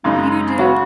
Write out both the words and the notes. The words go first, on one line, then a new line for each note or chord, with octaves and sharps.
You do.
F#2 C#3 G#3 D#4
C#3 F#3 C#4 F#4